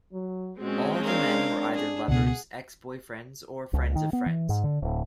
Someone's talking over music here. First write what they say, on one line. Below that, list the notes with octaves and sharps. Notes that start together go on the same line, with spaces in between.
All the men were either lovers, ex-boyfriends, or friends of friends.
F#3
A#2 G#3 C4 C#4 F#4
D4 A#4 F5
G#4
C#2 B2 G#4 F#5
C#2
D#3
B3
E3
G#2
D3
D1